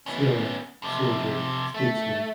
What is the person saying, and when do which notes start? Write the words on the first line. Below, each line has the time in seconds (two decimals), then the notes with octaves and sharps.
Sailor - Soldier - Statesman.
0.06 B3 C#4
0.82 F2 C3
1.74 A3